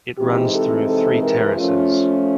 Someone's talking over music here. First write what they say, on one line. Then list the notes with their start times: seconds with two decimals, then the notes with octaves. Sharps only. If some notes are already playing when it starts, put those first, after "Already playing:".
It runs through three terraces.
0.18 C3 E3 G#3 C4 D#4 G4
0.52 A4
0.88 A4
1.22 A#4
1.56 F3 A3 C#4 F4